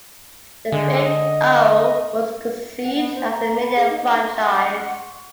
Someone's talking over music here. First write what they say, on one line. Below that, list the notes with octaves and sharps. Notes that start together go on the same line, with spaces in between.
"The Big O" was conceived as a media franchise.
D3 G#3
D#5
F#5
B3
C5
A#5
B5
G#4
D#4
F#5